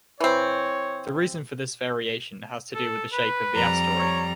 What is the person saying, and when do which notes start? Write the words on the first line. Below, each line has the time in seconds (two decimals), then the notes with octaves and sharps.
The reason for this variation has to do with the shape of the asteroid.
0.20 E3 C4 C#5
2.75 A4
3.13 B4
3.54 F2 G3 A#5
3.99 C#5